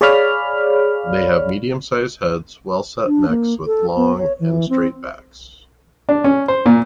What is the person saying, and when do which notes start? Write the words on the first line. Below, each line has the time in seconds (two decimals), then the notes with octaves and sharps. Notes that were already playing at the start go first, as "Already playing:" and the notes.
They have medium size heads, well-set necks with long and straight backs.
0.01 G#4 C#5 D5 F5 B5 F6
3.06 D4
3.28 A#3
3.66 A4
3.96 B3
4.18 C#5
4.40 E3
4.69 C4
6.09 D4
6.24 C#4
6.48 C5
6.66 A#2